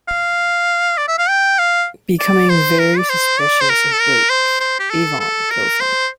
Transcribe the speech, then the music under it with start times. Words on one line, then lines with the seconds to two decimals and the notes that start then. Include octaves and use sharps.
Becoming very suspicious of Blake, Avon kills him.
0.08 F5
0.98 D5
1.08 E5
1.19 F5
1.29 G5
1.59 F5
2.19 D5
2.49 C5
2.79 A#4
2.98 D5
3.09 C5
3.40 D5
3.61 C5
3.70 A#4
3.93 A4
4.00 A#4
4.30 C5
4.60 C5
4.80 G4
4.91 A4
5.20 A4
5.50 A#4
5.81 C5